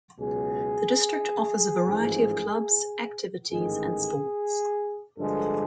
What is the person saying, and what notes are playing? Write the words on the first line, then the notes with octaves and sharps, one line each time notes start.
The district offers a variety of clubs, activities and sports.
C#2 B2 F#3 G#4
A1 G#2 F3
A1 G#2 D#3 G#4
G2 D3 F3 G#3 A4